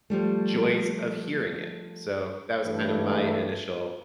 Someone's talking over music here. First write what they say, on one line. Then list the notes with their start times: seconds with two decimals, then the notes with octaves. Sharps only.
joys of hearing it. So that was kinda my initial
0.10 F3 G3 A3
2.64 G2 E3 A3 A4 B4